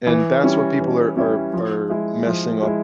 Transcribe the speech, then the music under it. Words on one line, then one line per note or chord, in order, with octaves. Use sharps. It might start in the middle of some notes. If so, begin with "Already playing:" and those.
And that's what people are are are messing up.
E3
G3 C#4 E4
E3
G3 C#4 E4
F3
G#3 E4
F3
G#3 E4